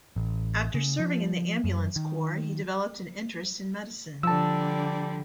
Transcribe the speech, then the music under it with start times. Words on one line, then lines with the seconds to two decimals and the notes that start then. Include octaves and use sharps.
After serving in the ambulance corps, he developed an interest in medicine.
0.16 A1
0.74 C#3
0.99 F3
1.64 F#2
1.96 D#3
4.23 D3 F3 G3 D4 A5 E6